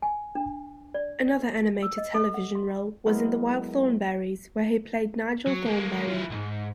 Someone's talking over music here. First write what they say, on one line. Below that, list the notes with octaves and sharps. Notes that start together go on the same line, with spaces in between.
Another animated television role was in "The Wild Thornberrys", where he played Nigel Thornberry.
G#5
D4
D5
E6
D#5
A4
F#5
C6
F#3 G#3 B3 E4 A#4
F#3
G#3 A#3
F3 E4
B1 G#2